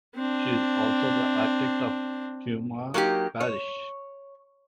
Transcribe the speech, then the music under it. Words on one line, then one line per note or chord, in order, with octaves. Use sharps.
She is also the architect of Hiiumaa Parish.
C4 D4
F#3 A#3 D#4 F4 G4
C#5